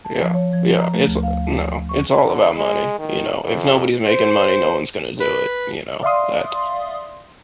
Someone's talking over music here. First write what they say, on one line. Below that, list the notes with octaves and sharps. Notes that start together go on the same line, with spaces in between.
Yeah, yeah, it's no, it's all about money, you know. If nobody's making money, no one's gonna do it, you know, that,
A5
F3
C#5
F3
A#5
A3
D2
F5
C#6
D3
G#3
D#3
F2
C5
B4
D5 E5 F5 C6 D#6